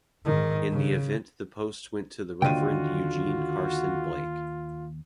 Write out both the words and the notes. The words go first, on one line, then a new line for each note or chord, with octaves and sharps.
In the event the post went to the Reverend Eugene Carson Blake.
G#2 D#3
C#3
D#2 D3 F4 F#4 G5 D#7